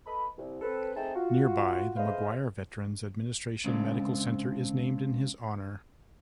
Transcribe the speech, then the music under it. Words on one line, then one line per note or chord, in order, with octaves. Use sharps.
Nearby, the McGuire Veterans Administration Medical Center is named in his honor.
A4 B4 D#5 B5
C2
C4 A4 B4
A3 C4 D#4 G#4 G5 A5
F4 F#4
A3 G#4 B4 C5 D#5 F5
G#2 C#3 C4 D4